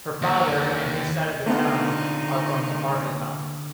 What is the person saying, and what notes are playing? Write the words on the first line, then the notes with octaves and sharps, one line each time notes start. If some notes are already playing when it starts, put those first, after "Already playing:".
Her father and his side of the family are from Marshalltown.
D#2
A#2 D3 A3 B3 C4 D#4 F4